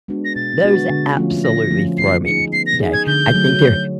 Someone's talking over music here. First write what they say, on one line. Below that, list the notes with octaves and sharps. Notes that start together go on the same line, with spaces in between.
Those absolutely throw me. 'Kay? I think they're
G#3 B3 D4 F#4
A#6
B2 A6
G#3 B3 D4 F#4
D3
F3 A3 C#4 F4
D3 A#6
F3 A3 C#4 F4
B3 C7
D#4 G#4 C#7
B3 C7
A#6
D#4 G#4
G#6
D3 G6
F#3 A3